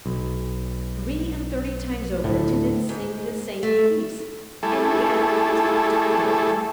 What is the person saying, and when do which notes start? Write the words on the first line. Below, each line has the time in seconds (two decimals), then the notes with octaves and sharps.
Three-and-thirty times over did it sing the same piece, and yet was not tired.
0.06 B1
2.24 D2 A2
2.89 G#2
3.63 A3
4.63 G3 A3 E4 G#4 A4